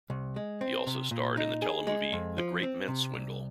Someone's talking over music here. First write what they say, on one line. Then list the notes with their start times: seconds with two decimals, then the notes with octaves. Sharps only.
He also starred in the telemovie "The Great Mint Swindle".
0.10 C2
0.36 G#3
0.61 C4
0.87 C3
1.11 A#2
1.37 D#4
1.62 G#4
1.87 G#3
2.13 F2
2.38 F3
2.63 C4
2.88 C3
3.14 C2